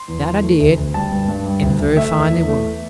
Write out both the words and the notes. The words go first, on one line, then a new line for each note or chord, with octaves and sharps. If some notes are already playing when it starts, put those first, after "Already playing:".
'That I did; and very fine they were.
Already playing: C6
E2
E2
A3
D2
D2
G3 A5
G2
G2
G3
D2
D2
A3 E5
E2
E2
A3